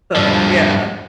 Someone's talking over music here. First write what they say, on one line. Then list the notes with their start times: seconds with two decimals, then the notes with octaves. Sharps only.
But, yeah.
0.16 G2 F3